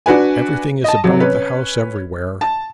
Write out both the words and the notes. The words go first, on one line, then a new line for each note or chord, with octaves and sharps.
Everything is about the house everywhere.
D4 F#4 B4 G#5
D#5 A5
C3 F#3
C#4 B4
A5